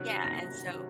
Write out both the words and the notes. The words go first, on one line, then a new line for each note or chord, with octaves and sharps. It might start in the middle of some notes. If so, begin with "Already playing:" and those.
Yeah, and so
Already playing: C3 D#3 F#3 C#4 F#4 F#6
A#6
C3 D#3 F#3 C#4 F#4